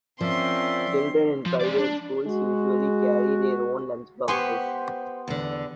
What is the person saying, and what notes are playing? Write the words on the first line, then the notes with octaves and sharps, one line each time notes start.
Children in private schools usually carry their own lunch boxes.
F3 C4 C#4 A#4 D5 E5 C6
F3
G#3 D5
D4
G#3 F#4
B3 G4 C5 G#5 C6 C#6
E2 D3